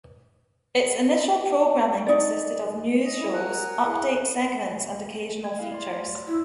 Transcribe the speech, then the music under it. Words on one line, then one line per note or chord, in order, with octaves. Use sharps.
Its initial programming consisted of news shows, update segments and occasional features.
D#4 D5
D#5
G3 E4
A#4 F#5 G#5
E4 G#4 F#5
G#6
A3 E4 F5
D5 C6
E4